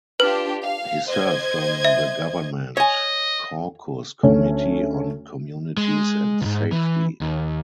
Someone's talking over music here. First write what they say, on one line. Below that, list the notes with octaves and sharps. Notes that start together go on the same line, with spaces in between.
He served on the Government Caucus Committee on Communities and Safety.
D4 F4 G4 B4
F5
C5 D#5 G#6
E5
C#5 D#5 G#5
D2 A3 C#4 C#5
G#3
C#2 G#2
E3
D#2